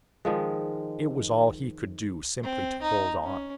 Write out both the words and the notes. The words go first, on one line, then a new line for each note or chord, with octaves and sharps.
It was all he could do simply to hold on.
D#3 F3 G#3
C4
D#4
C#4